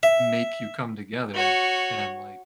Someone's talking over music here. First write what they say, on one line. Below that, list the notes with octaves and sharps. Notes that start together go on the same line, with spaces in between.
make you come together, and, like,
E5
F#4 C#5